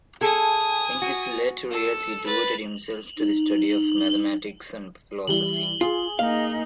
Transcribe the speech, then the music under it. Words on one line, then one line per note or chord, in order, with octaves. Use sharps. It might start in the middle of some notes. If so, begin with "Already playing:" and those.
In his later years he devoted himself to the study of mathematics and philosophy.
G#4 A4 G#5 D#6
F#4
A4
B4 A6
D#4
E3 G3 E4 F#7 G7
F4 G#4
A#3 D#4 F5